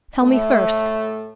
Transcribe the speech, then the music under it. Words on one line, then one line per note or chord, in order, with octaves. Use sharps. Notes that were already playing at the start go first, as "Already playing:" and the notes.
"Tell me first."
A2 A3